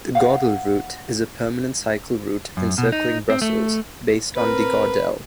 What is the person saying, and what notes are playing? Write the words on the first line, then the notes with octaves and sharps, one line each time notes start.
The "Gordelroute" is a permanent cycle route encircling Brussels, based on De Gordel.
F5 F#5
F#2
B2
D#4
C4
A3
C4 A#4 B4